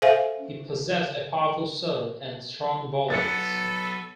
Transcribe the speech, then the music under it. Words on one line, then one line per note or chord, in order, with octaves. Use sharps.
He possessed a powerful serve and strong volleys.
A4 C5 E5 F5 G#5
F#3 B3 A4 A6 C#7